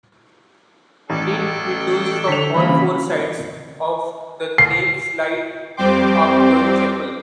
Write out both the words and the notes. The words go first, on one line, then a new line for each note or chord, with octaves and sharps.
Eight windows from all four sides of the naves light up the chapel.
A1 D4 A4 G5
D3 B6 F7
E3 A#3 B5
C#3
C7
F2 G3 C4 G5 C6 D6